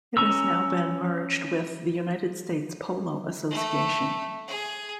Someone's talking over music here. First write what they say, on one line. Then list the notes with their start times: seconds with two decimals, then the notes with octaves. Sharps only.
It has now been merged with the United States Polo Association.
0.17 C#4 A#5 C#6 E6
3.51 A3
4.48 G#4